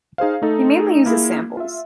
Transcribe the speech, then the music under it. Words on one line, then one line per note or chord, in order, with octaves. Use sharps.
He mainly uses samples.
D#4 G#4 C5 F5
A3 D#4 A4
A#3 E4 F4 G#4
F4 E5